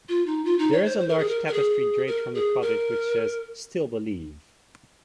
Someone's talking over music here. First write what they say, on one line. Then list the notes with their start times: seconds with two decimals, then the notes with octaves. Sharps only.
There is a large tapestry draped from the Cottage which says "Still Believe".
0.09 F4
0.26 D#4
0.45 F4
0.59 D#4
0.72 C#5
0.85 C5
0.99 C5
1.09 A#4
1.19 G#4
1.29 A#4
1.47 A#4
1.53 G#4
2.07 A#4
2.35 G#4
2.62 A#4